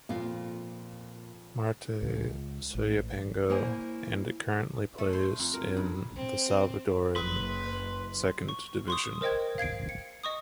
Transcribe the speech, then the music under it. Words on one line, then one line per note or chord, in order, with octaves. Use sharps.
Marte Soyapango and it currently plays in the Salvadoran Second Division.
F2 A#2 F4
C#2
A1
A#3 E4 C5 C#5 G#5
A3
C5
F2
A#4
G2
C4
F#1 B4 C6
C#6
C6 C#6 D#6
A#4 C5 D#5 G5 G#6
F5 G#6 C7 D7
C#7
D#5 C#6 D#6